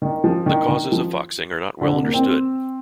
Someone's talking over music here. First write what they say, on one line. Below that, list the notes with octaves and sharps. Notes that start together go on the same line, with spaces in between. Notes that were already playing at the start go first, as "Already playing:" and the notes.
The causes of foxing are not well understood.
D#3
F3
D#3
D#3
F3
D3
C3
A#3
C4